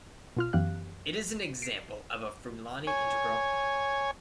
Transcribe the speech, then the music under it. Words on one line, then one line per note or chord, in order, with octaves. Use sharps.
It is an example of a Frullani integral.
B2 F4 F6
F#2 E3 B3 G4 F5 F#6
C7 D7
C#5 G#5